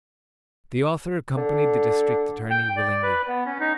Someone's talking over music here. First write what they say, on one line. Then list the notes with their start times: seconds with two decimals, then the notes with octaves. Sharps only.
The author accompanied the district attorney willingly.
1.37 D3
2.50 G5
2.76 D5
3.03 B4
3.28 B3
3.46 C#4
3.60 D#4